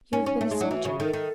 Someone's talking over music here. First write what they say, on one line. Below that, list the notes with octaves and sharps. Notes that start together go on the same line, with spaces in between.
"You have been a soldier?"
C#4 D#4
C#4
A3
G#3
F#3 E4
E3 F#4
C#3
D#3 A4
D#3